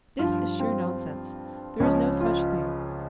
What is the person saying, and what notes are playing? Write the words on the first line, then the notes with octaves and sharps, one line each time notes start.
This is sheer nonsense: there is no such thing.
G2 F3 F4
C4
C#2 C#3 F3 C#4
F4